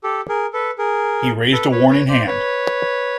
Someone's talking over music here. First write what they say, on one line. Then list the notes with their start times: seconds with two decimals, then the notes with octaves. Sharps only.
He raised a warning hand.
0.04 G4 A4
0.29 G#4 A#4
0.53 A4 B4
0.78 G#4 A#4
1.53 A4 B4
1.72 B4 C#5
1.90 B4 C#5
2.08 C5 D5
2.27 B4 C#5